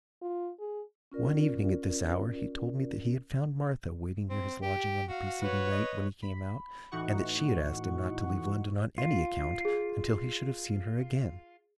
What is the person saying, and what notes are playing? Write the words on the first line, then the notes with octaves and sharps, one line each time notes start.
One evening, at this hour, he told me that he had found Martha waiting near his lodging on the preceding night when he came out, and that she had asked him not to leave London on any account, until he should have seen her again.
F4
G#4
C#4 F4 A#4 D5
C4
G4
F#4 F5
B4 C#5
D#5
B5
A2 E3 D#4 F#4 F#5 C#6
F4
G#4 C7